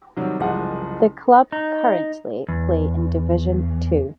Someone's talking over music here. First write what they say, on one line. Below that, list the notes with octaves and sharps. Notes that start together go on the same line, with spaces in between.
The club currently play in Division Two.
C3 D#3 F#3 G3
F#1 C2 F3 G#3 F#5
D#4
E2